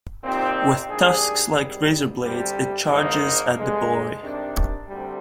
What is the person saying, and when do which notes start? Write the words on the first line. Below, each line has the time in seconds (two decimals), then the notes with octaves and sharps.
With tusks like razor blades, it charges at the boy.
0.21 A#2 F3 C4 D#4 G4
0.88 A#1 G#2 G3 D4 G#4
1.55 G#1 G#2 G3
2.22 D2 C3 G3
2.88 G#1 G#2 F3 A#3 D#4
3.55 G2 D3 G#3
4.21 C3 D#3 G3 D4
4.87 D2 C3 G3